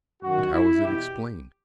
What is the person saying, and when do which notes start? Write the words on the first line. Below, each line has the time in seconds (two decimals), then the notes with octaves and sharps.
"And how is it explained?"
0.22 F#2 D#3 F#4
0.52 E4
0.83 E2 B2 G4